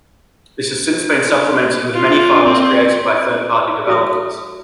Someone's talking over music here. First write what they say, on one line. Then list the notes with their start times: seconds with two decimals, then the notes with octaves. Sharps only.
This has since been supplemented with many files created by third party developers.
1.93 F4
2.44 C4
3.88 F#4 E5 D#6